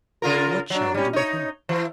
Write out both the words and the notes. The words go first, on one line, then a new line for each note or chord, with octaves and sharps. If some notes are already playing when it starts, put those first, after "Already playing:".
"What shall we do with him?"
C#3 F4 A#4
F#3 D4
G3 C#4
D#4 C#5
E3